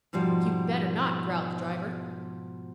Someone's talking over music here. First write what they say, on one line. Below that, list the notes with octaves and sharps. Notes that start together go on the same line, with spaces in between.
"You'd better not," growled the driver.
G#2 B2 F3 G3